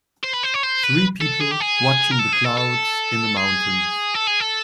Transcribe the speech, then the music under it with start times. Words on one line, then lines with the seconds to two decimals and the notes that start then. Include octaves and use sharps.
Three people watching the clouds in the mountains.
0.24 C5
0.33 B4
0.43 C5
0.54 C#5
0.63 C5
0.83 B4
1.21 A4
1.41 G#4
1.52 G4
1.61 G#4
2.11 A#4
2.19 A4
2.33 G#4
2.45 A4
2.58 A4
3.37 G#4
4.15 A4
4.28 G#4
4.41 A4